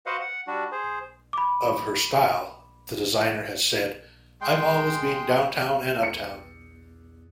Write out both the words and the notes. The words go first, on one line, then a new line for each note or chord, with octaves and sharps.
Of her style, the designer has said: I've always been downtown and uptown.
F#4 B4 C5 D#5 F5 F#5
F#5
G3 D4 F#4
G#4 C5
B5 D6
G#3 G5 C6
E2 C#7